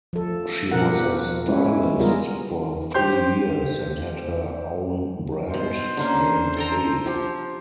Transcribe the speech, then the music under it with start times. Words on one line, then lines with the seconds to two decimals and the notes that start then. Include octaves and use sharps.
She was a stylist for three years and had her own brand, named A.
0.13 F3 A4
0.72 B2 F3 G4 A#4 F#5
1.47 G#3 C#4 E4
1.99 G3 B3 F4 G#4 A#4
2.94 G4 C5 C6 G6
5.54 B2 C5
5.97 D3 A#3 C#4
6.56 A4 G5 A#5
7.06 F3 G4